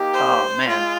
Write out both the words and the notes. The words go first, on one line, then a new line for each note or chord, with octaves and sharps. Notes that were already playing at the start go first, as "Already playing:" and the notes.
Oh, man.
Already playing: A#3 D#4 G4
C5
G#3 F4